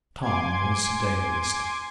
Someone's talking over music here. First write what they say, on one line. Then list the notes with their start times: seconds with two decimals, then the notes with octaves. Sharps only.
Tom was dazed.
0.22 G#5 C6 D6 G#6